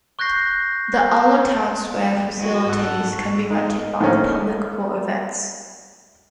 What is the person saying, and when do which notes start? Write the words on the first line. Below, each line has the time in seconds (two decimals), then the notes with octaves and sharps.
The Olla Town Square facilities can be rented by the public for events.
0.19 C#6 F#6 G6 A#6 C7
2.37 D#3 F#3 G#3 F#4
2.68 G#2 A4 F#5
3.10 F#4
3.51 D#4 G#4 A#4 D#5
4.01 A2 D#3 F3 A3 A#3 C#4